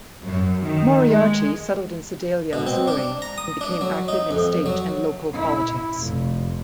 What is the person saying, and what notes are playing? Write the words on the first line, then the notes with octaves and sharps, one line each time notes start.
Moriarty settled in Sedalia, Missouri, and became active in state and local politics.
F#2
D#3
G#3
B2
C4
D4
A#5
D#6
D4
F#3
D#4
F2
F#3
E4
F1